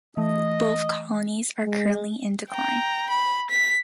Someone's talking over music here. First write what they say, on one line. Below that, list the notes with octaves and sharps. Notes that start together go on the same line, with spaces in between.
Both colonies are currently in decline.
E3 A3 D#5
G#3
G5 A#5
B5
B6